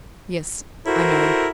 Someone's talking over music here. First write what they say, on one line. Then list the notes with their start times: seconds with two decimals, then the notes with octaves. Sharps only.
Yes, I know.
0.86 E4 F#4 A4 A#4 C5